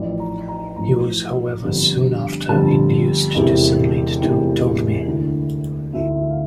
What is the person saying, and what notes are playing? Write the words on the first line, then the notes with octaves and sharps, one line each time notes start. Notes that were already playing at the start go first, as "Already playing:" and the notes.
He was, however, soon after, induced to submit to Ptolemy.
Already playing: A1 A2 F3 D5
A#5
A#5
A1 A2 F3 A#5
G1 F2 D3 G3
G1 F2 D3 G3 A5
E1 E2 C3 E3
E1 E2 C3 E3 G5
D2 D3 A3 E4
D2 D3 A3 E4 E5
E5
F5